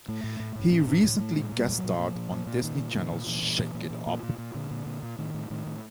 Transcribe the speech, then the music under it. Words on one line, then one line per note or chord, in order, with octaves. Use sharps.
He recently guest starred on Disney Channel's "Shake It Up".
A2 A3
A2
A2
A2
A2 C#4
A2 D4
A2
A2 A3
A#2 G#3
A#2
G3
A#2
F#3
A#2
A#2 F3
A#2
A#2
A#2
A#2 D#3
A#2
A#2 D#3
A#2
A#2 E3
A#2
A#2
A#2
A#2
A#2
A#2
A#2
A#2 D3
A#2
A#2
A#2
A2 D#3
A2
A2 D#3
A2